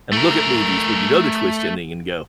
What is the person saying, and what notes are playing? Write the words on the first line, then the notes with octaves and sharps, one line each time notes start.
and look at movies where you know the twist ending and go
A3 A#4